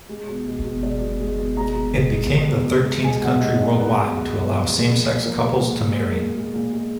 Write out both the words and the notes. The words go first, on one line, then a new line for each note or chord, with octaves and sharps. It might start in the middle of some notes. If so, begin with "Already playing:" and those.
It became the thirteenth country worldwide to allow same-sex couples to marry.
G#3
B2
G#3
B2
G#3 D5
B2
G#3
B2
G#3 A#5
B2
G#3
B2
G#3
B2
G#3
B2
G#3 G#5
B2 F#5
G#3 D#5
B2 D5
G#3 B4
B2
G#3
B2
F3
G#3
A#2
A#2
F3 A#4
G#3
A#2
A#2
G#3 A#4
A#2
G#3
A#2
G#3